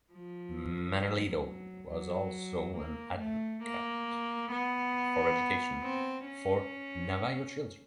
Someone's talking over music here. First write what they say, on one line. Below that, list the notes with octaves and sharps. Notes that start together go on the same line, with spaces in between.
Manuelito was also an advocate for education for Navajo children.
F3
F#3
F#3
A#3
A3
A#3
B3
C4
C#4